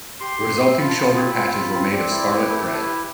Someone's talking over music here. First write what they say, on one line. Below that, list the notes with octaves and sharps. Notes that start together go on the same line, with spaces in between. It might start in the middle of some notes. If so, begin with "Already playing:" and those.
The resulting shoulder patches were made of scarlet thread.
G4 C6
G4
C4
F4 B5
A5
F4 B5
C4
F4
F4
C4
C4 D5
E4 D5
G4 B4
A3 B4
A4
E4
B4
G4